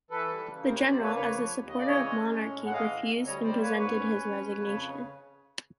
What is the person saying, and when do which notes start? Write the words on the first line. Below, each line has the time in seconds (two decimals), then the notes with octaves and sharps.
The General, as a supporter of monarchy, refused and presented his resignation.
0.10 E3 A4 B4
0.28 G3
0.46 C#3
0.63 C3 A#4 C5
0.76 E2 B4 C#5
0.89 C5 D5
0.99 A#3 B4 C#5
1.16 C#3 B4 C#5
1.33 F3
1.50 D#2
1.68 C#3 D#5
1.78 D5
1.86 E3 C#5 D#5
2.04 G#3
2.20 C#4
2.38 A2
2.56 G#3
2.66 F#5
2.73 E3 D#5 F5
2.91 D2
3.09 D2
3.26 G3 C#5 D#5
3.43 G3 C5 D5
3.60 A#3 B4 C#5
3.78 G#2 B4 C#5
3.96 C#4
4.14 C#4
4.31 F2
4.49 F2
4.66 C#3